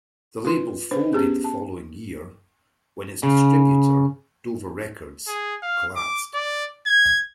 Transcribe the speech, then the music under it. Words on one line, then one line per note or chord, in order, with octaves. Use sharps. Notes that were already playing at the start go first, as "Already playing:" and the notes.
The label folded the following year, when its distributor, Dover Records, collapsed.
F4 B4 C6
D4 B4 C5
B3 C#4 G4 G#4
A5
C#3
G#4
F5
D6
D5
G#6